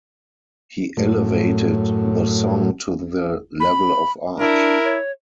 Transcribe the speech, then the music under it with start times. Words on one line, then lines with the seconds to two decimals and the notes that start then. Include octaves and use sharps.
He elevated the song to the level of art.
0.97 F#2 A2
3.60 B5
4.39 D4 E4 A#4
4.85 C#5